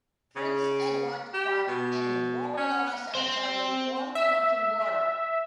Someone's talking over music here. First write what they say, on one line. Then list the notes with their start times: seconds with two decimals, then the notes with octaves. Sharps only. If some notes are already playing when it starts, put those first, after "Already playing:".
Prince Edward Park and Woronora Cemetery form the northern border.
0.36 C#3
1.34 G4
1.68 B2
2.57 C#4
3.15 C4 C5
4.15 E5